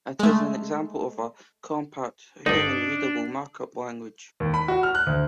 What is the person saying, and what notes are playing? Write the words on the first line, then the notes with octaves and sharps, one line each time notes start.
It is an example of a compact human-readable markup language.
G#3 A3
D2 G2 D4 D#4
D#2
B5
F#4
F6
F#6
D2